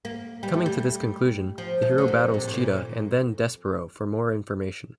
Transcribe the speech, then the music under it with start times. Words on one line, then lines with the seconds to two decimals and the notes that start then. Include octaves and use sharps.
Coming to this conclusion, the hero battles Cheetah and then Despero for more information.
0.05 A#3
0.43 G3
0.54 A3
0.66 G3
1.58 F3
1.82 A3
1.98 D3
2.08 C3
2.34 A#2
2.48 A2
2.54 A#2